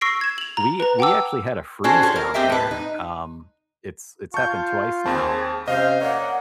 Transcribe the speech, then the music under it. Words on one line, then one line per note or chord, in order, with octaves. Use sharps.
we we actually had a freeze down here. Um, it's it's happened twice now,
C#6 E6 A#6 C7 D7
G#6 E7
F7 F#7
A#5
B4 A#5
F#5 G5 A5 D6 E6
C#4 D4 F#4 G#4 A4 C5
F4 G4 A4 C5 C#5
A#4
C4 G4 C5 D#5 E5 G5
A2 B4
D#4
F4 A5 C#6 G6
D#2 C4 G#4 A5 B5 C#6
C3 C#4 C5 D#5 F5
A#3 C#5 D5 F#5